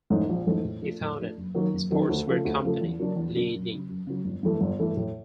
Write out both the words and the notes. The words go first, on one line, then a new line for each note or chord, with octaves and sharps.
He founded the sportswear company Li-Ning.
G#2 E3 A3 C#4
A#1
G#2 E3 A3 C#4
A2
F3 A3 D4
A2
F3 A3 D4
F#1
F#2 D#3 F#3 A#3
F#1
F#2 D#3 F#3 A#3
D2
C#3 F3 A3
D2
C#3 F3 A3
E2
C#3 F#3 A#3 D4
E2
C#3 F#3 A#3 D4
F#2
C#3 F#3
F#2
C#3 F#3
G1
G2 E3 A3
G1
G2 E3 A3
A2